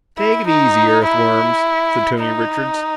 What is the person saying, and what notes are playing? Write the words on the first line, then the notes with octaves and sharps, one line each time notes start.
"Take it easy, Earthworms!" said Tony Richards.
E4
D#4
E4
D#4